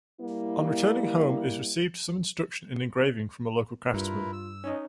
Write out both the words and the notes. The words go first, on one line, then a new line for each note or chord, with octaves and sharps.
On returning home is received some instruction in engraving from a local craftsman.
G3 A#3 E4
G2 E4 F4 A#4 B4
E6
C#4 D#4 C#5 D#5